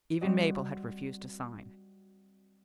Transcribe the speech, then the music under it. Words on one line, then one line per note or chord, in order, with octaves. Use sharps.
Even Mabel had refused to sign.
G3 C4 F#4 D#5